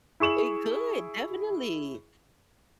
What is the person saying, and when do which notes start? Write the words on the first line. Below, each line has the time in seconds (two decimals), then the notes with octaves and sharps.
It could, definitely,
0.20 E4 G#4 C#6 E7 F#7